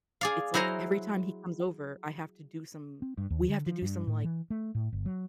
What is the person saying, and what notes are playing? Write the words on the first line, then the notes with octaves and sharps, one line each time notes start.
it's, like, every time he comes over, I have to do some we have to do some, like,
G#4 D5 F5
F#3 E4 C5 D#5 A#5
C4
G2
D#2
D3
F3
G2
A2
E3
A3
A2
G1
F#3